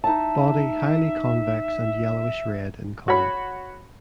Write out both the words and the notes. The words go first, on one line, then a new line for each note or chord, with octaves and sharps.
Body highly convex and yellowish red in color.
D#4 E5 A5
F#4 C#5 B5